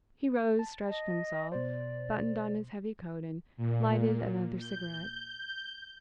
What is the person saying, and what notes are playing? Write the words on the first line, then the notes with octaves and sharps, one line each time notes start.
He rose, stretched himself, buttoned on his heavy coat and lighted another cigarette.
A5
D#5
B2 C5 D5
A#2
G6